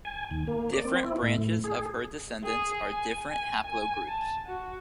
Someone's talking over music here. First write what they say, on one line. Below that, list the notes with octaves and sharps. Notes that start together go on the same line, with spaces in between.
Different branches of her descendants are different haplogroups.
G#5
D#2
A#3
D5
C4
E4
A2
A2
G#4
G#4
G#5
G#5
G#5
A5
F#4